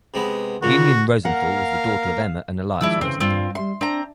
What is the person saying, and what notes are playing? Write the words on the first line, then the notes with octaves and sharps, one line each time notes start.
Lillian Rosenthal was the daughter of Emma and Elias Rosenthal.
C3 G#3 B3
A#2 C#3 F4 F#4
A#3 A#4 F5 F#5
D#3 F3 G#3 E4 D5 E6
C#3 E3 C4
G2 C4 F4
G3 E5 C6
C4 D4 A#5